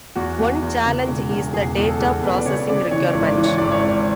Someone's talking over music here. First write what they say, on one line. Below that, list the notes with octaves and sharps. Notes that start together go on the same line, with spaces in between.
One challenge is the data processing requirement.
E2 F#4
E2
E2
C#3
E1
E2
E1 G#4
E2 G#4
A4
E2
E2 B4
D5
C#3 C#5
C#3 D5
E3 C#5
D5
C#5
G#1
D5
E3
C#5
G#1 D5
C#5
G#1